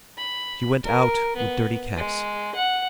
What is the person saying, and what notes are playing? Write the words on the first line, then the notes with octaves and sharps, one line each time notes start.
She went out, with dirty caps.
B5
A#4
B3
G#3
F#5